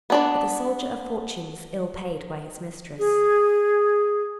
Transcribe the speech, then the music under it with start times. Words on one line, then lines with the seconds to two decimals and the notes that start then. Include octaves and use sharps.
But the soldier of fortune was ill-paid by his mistress.
0.10 B3 D4 D5
2.99 G#4